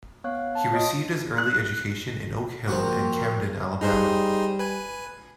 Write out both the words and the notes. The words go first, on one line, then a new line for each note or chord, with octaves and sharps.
He received his early education in Oak Hill and Camden, Alabama.
B3 C#5 F5 F#6
A5
F4 C#5 D#5 D#6 D7
F#6
F3 A#3 C4 F#4 A#4
G3 D#4 G#4 C5
B4 G#5